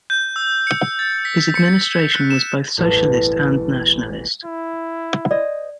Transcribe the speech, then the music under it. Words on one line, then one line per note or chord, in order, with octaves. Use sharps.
His administration was both socialist and nationalist.
G6
E6
C#7
A6
B6
C#7
F#6
E7
E1 A1 G3 A4 A6
E4
C5 D5 D#5